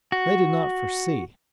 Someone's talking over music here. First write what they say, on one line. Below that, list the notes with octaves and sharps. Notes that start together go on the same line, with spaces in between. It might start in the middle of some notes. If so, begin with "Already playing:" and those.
They did not foresee....
F#4